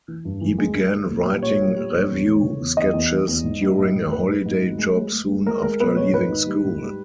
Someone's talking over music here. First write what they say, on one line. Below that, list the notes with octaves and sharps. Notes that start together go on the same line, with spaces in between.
He began writing revue sketches during a holiday job soon after leaving school.
E3
G2
E3
G#3
G3
G3
A#2
G3
A#2 C#5
A#2
G3
A#2
E2
E3
C#3
E2
E2 D#5
E2
E3
E2
G#2
G3
G#2
G#2
G#2 B4
G#2
G#2
G3
G#3
G#3
G#3
G#3
G#3 A#4
G#3 A#4
B2 B4
G#3 C#5
G#2 B4
D#3
G3
G#2
G3